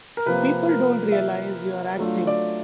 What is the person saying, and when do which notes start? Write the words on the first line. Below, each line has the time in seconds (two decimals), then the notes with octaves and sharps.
People don't realize you're acting.
0.17 A#4
0.26 C3 F3 A#3 B4
0.69 A#4
1.12 E5
1.99 F#3 A3 D4 F4
2.27 D5